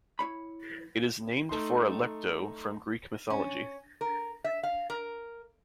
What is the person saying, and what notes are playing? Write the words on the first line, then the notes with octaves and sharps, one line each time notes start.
It is named for Alecto from Greek Mythology.
E4 C#5 B5
A3 D#4 C6
C#4
A#4
E5
F5
A#4